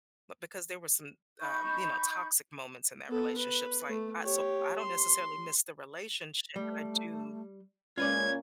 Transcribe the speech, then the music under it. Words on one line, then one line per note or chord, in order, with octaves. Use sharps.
but because there were some, um, you know, toxic moments in that relationship. So, I I, so I don't necessarily miss the relationship, but I do
D#4 B5 C#6 G6
B3 A4
B4
A3
G4 C#5
C6
G3 A3
A#2 G#3 A#3 C#4 F4 B4 D5 G#6